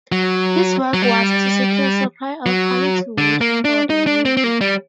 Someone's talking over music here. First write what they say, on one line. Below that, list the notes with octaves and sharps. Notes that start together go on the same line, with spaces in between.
His work was to secure a supply of quality wood for the Navy.
F#3
F#3
G3
F#3
D3
A#3
D4
D#4
D4
C4
C4
A#3
G3